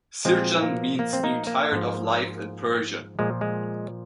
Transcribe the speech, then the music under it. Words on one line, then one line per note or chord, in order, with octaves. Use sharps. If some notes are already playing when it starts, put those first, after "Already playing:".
Sirjan means "being tired of life" in Persian.
A#2 F3 G#3 C4
A#3
A#3
C4
A#3 D#4
A#3
G#2 F3
A#2 F3 G#3
G#3